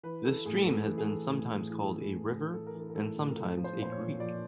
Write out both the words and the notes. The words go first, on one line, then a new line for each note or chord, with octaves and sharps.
The stream has been sometimes called a river and sometimes a creek.
E3 B4
E3 A4
A2 G#4
A2 A4
E3 A4
G#4
E3 A4
A2
A2
E3
E3
A2
A2
E3 A4
A#4
E3
A4
A#4
A2 A4
A2
A#4
F3 A4
F3
C5
A#2 C5
C#5
A#2
F3 D5